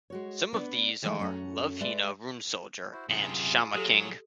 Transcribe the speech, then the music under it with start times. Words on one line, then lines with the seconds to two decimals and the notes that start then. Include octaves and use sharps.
Some of these are "Love Hina, Rune Soldier, and Shaman King".
0.10 G#3 F#4 C#5
0.53 B3 D4 B4
1.02 D#3 E3 G#3 A3
1.19 F#2 A3 C#4 F#5 G#5 A#5
1.81 G#3 B4 D5 E5
2.92 E4 F#4 C5
3.09 F#2 C3 F4 G#4
3.75 F#3 G4 A4